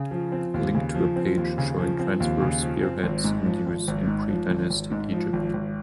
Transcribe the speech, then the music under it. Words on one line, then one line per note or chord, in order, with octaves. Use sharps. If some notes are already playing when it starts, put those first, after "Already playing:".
Link to a page showing transverse spearheads in use in pre-dynastic Egypt.
Already playing: C#3
F3
C4
D#2
C#3
F3
C4
D#2
C#3
F3
C4
D#2
C#3
F3
C4
G#1
G#2
F3
G#1
G#1
G#2
F3
G#1
G#1
G#2
F3
G#1
G#1